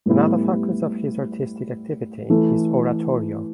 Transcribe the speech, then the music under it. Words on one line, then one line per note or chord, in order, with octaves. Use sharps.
Another focus of his artistic activity is oratorio.
A2 G3 B3 E4 G4
E3 A3 E4